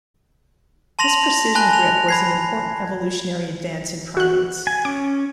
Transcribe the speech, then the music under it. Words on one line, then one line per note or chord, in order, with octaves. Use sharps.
This precision grip was an important evolutionary advance in primates.
A5 C6 A#6 F7 F#7
G#5 A5 B5 F#6 A#6 G7
F7
B5 G#6 C7
F#4 F#6
G#5
C#4 D6